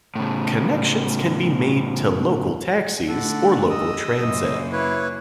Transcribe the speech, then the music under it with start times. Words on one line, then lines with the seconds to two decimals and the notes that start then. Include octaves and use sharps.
Connections can be made to local taxis or local transit.
0.15 A2 C#3
3.08 D3 A3 A4 F#5
3.70 D#5 D#6 E6
4.20 F#2 C#3 A#3
4.72 E4 B4 C#5